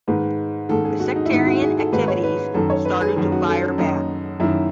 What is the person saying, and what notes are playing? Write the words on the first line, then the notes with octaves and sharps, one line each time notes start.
The sectarian activities started to fire back.
G#2 D#3 B4
G#2 D#3 A4
G#4
F#4
D#4
E4
G#2 D#3 D#4
F#4
G#4
A4
G#2 D#3 B4
C#5
B4
F#2 D#3 A4
C#5
B4
G#4
F#2 D#3 G#4
F#4
A4
C#4
F#2 D#3 D#4
F#2 D#3 E4